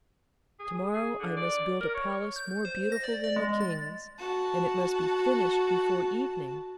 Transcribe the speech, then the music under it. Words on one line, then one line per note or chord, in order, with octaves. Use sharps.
To-morrow I must build a palace more beautiful than the King's, and it must be finished before evening.'
G#4
G#4
D3
D5
A#4
C#5
G6
C5
A#6
D5
D5
G#3
A6
F#4 A5